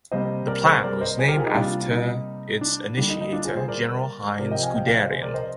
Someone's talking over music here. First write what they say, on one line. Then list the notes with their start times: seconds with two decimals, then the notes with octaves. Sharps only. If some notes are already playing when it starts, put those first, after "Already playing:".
The plan was named after its initiator General Heinz Guderian.
0.11 C3 G3 A#3 C5 D#5
0.47 A#4 D5
0.65 G#4 C5
0.83 A#4 D5
1.01 C5 D#5
1.19 G#4 C5
1.28 G4 A#4
1.37 F4 G#4
1.45 D#4 G4
1.54 C3 G3 A#3 D4 F4
1.81 F4
1.90 D#4
2.61 D4
2.97 D3 G3 A#3 D4
3.09 D#4
3.21 D#4
3.32 D4 F4
3.45 F4 G#4
3.57 G#4 C5
3.68 A#4 D5
4.39 C3 F3 C4 A#4 D5
4.51 D#5 G5
4.63 F5 G#5
4.75 D#5 G5
4.87 D5 F5
4.99 C5 D#5
5.11 G#4 C5
5.22 A#4 D5
5.34 C5 D#5